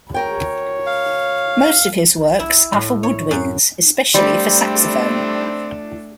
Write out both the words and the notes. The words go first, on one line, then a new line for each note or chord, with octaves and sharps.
Most of his works are for woodwinds, especially for saxophone.
D2 A#4 C#5 G5
F5
E4
A2
C#5
F#2
G3 A3 C4 D4 D5